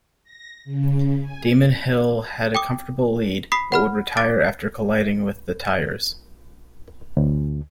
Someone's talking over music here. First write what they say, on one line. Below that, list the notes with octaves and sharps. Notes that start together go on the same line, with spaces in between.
Damon Hill had a comfortable lead but would retire after colliding with the tyres.
A#6
C#3
G#5
G5 D6 D#6
B5 D#6 B6 C7
F#5 B5 F6
D6 A6 D7
D2